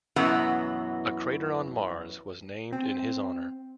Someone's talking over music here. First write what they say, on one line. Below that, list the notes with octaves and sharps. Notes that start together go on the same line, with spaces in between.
A crater on Mars was named in his honour.
F#2 B2 E3 F#3 B3
C4